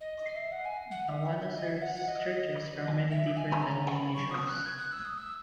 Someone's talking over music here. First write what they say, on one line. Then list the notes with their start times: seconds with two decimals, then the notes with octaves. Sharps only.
Awana serves churches from many different denominations.
0.01 D#5
0.18 D#5
0.36 E5
0.52 F#5
0.65 G#5
0.91 F#5
1.04 F#5
1.08 E5
1.56 D#5
1.69 E5
1.82 F#5
1.95 F#5
2.08 D#5
3.11 E5
3.37 G#5
3.63 A#5
3.88 C#6
3.92 B5
4.14 C#6
4.31 D#6
4.49 F#6
4.66 G#6
4.79 F#6
4.92 E6
5.05 D#6
5.18 E6